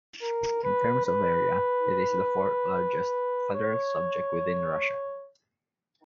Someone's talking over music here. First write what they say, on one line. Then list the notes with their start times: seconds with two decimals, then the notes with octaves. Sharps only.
In terms of area, it is the fourth-largest federal subject within Russia.
0.22 A#4
0.63 B4
1.05 B4
3.54 C#5